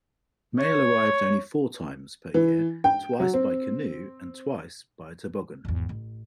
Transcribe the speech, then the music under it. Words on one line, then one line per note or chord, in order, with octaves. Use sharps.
Mail arrived only four times per year, twice by canoe and twice by toboggan.
C#5
E3
G5
F#3
C4
G#1 E2
A1